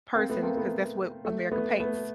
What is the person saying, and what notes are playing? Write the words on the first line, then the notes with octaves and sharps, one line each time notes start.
person 'cause that's what America paints
A#3 C4
A3 B3
A#3 C4
A3 B3
A3
A3 B3
A3 B3